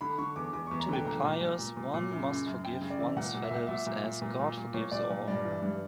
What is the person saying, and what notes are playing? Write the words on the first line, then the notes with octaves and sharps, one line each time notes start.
To be pious one must forgive one's fellows as God forgives all.
D3 B5
D3 C#6
E2 D6
E2 D6
E2 C#6
A#5
D3 G5
A#2 A#5
A#2
A#2
A#2
A#2
A#2
F#2
C#3
F#2
F#2 G5
C#3
D5
E3
A#2 F#5
A#2
E5
A#2 F#5
A#2 E5
A#2
A#2
A#2
A#2
A#2
A#2 C#5
A#2 D5
A#2
G2 D5
E3
G2